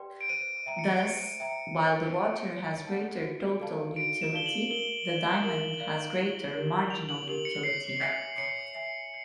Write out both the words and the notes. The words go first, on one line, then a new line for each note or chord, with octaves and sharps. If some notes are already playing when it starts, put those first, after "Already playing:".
Thus, while the water has greater total utility, the diamond has greater marginal utility.
Already playing: G4 B4 D5 G5 C6
D7
C5 D#7
E5 G5 A#5
C#7
C5 C#7
E5 G5 A#5
C#5
F#5 A5
C#5
F#5 A5
F#4
A4 D5 F5 A5
F#4 D7
E7
A4 D5 F5 A5 G7
F#7
A#4 G7
D5 F5
A#4 F#7
D5 F5
E4
G4 A#4
E4 F7
F#7
G4 A#4 F#7
C#7
C#5 C7
E5 G#5
C#5 C#7
E5 G#5